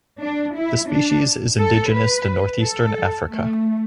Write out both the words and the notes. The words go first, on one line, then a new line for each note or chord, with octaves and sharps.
The species is indigenous to northeastern Africa.
D4
E4
D4
A4
B4
A4
A3